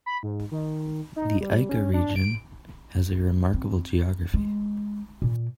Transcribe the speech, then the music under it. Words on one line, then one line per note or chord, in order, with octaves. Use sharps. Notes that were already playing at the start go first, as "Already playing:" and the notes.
The Ica Region has a remarkable geography.
B5
G#2
D#3
D#4
G3
C#4
D4
D7
C4
G#3
A#2